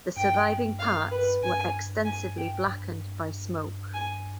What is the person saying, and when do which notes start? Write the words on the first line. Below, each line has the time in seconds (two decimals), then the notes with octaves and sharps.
The surviving parts were extensively blackened by smoke.
0.17 G2 G5
0.79 F5
1.11 B4
1.43 G2 G#5
2.05 G#5
2.37 G5
2.67 G2
3.94 G#5